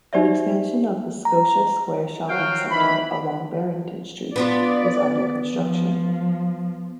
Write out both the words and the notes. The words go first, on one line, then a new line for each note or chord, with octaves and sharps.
An expansion of the Scotia Square shopping centre, along Barrington Street, is under construction.
D#4 G4 C5 D5 E5
A#5
F3 F#3 F#4 F5 G5
D#3 E3 B5
B3 D4 F4 D5
F3